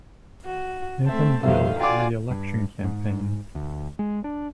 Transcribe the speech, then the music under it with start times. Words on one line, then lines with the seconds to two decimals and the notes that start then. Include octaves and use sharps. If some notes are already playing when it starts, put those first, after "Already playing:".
Nathan Deal's re-election campaign.
0.46 F#4
1.06 A3 C4 E5 A5
1.43 F1 D3 D#3 G3 C5 E5 F5
1.80 F4 F#4 D5 G5 G#5 D6
2.31 G2
2.84 G#2
3.55 D2
3.99 G#3
4.24 D4